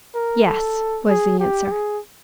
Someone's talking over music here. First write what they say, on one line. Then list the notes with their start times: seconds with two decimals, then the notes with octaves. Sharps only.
"Yes," was the answer.
0.15 A#4
0.46 A4
1.09 G#4
1.40 G4
1.71 G#4